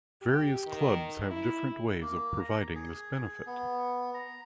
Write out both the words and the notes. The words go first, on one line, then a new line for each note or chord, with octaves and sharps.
Various clubs have different ways of providing this benefit.
G4
D#3
E4
A#3
A#5
G#4
B3
A#5